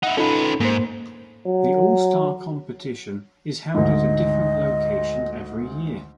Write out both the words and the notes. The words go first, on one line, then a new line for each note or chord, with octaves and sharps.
The All-Star Competition is held at a different location every year.
D#4 E4 F#5
C#4 D#4 F4 A4 B4
G#2 A#3 C5
F#3
D2 G#2 D#5